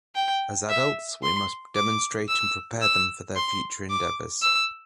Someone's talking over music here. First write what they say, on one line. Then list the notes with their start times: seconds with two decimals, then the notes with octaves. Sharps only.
As adults we must demonstrate and prepare them for their future endeavors.
0.15 G5
0.69 E5
1.23 C6
1.75 D6
2.28 E6
2.82 E6
3.36 C6
3.90 D6
4.42 E6